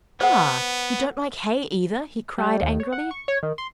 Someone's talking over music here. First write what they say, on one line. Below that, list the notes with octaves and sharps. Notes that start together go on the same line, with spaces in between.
"Ah, you don't like hay either?" he cried angrily.
B3 C5 F#5
G3
D#2
C#5
F#5
C#6
C#5
D#3
C6